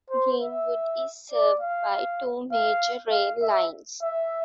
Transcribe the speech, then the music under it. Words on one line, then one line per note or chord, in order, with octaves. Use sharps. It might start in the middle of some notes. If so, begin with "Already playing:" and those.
Greenwood is served by two major rail lines.
C5
E5
D5
F5
F5
F5
E5
E5